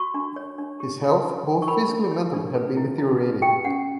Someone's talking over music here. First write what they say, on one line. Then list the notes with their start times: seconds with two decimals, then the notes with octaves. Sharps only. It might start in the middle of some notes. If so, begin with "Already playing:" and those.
His health, both physically and mentally, had been deteriorating.
Already playing: F#4 C#6
0.14 D4
0.36 C#5
0.58 D4
0.80 G4
1.02 E4
1.24 B4
1.46 E4
1.62 C#6
1.67 A#4 B5
1.89 D4
2.11 C#5
2.33 D4
2.55 B4
2.77 E4
2.98 E4
3.20 B4
3.42 G4 G5
3.65 C#4 F#5